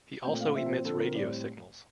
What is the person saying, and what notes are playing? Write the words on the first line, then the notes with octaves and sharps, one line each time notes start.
He also emits radio signals.
A#2 A3 C4 G5
F5
A#2 F3 C4 E5
C5
D3 F3 C4 A4
A#4
A2 G3 C4 D5